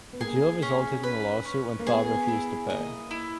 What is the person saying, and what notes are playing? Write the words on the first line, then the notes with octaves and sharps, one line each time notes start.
The deal resulted in a lawsuit when Thaw refused to pay.
B3
A#3 G#4
C#4
B4
C#4
A#3
B3 G#4
E4
A#3 D#5
E4